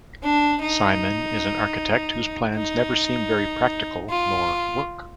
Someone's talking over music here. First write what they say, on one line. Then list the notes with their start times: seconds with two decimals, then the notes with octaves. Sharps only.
Simon is an architect whose plans never seem very practical nor work.
0.23 D4
0.62 D#4
2.55 D#4
4.10 F4